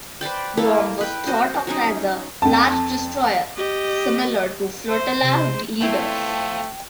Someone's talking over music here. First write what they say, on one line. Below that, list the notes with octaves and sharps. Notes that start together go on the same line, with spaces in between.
"Grom" was thought of as a large destroyer, similar to flotilla leaders.
B4 C5 D5 G5
A#3 E4 A4 F5
B4 G5
F#4 C5 D#5
F#3 C#4 D#4
F2 A5
G4 D#5
C5
C3
A3 B3 C4 E4 F4 A4 G5